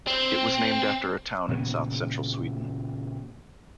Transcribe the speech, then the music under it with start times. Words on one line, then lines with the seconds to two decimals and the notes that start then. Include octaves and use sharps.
It was named after a town in south-central Sweden.
0.07 C4
1.48 A#2 C#3 E3 B3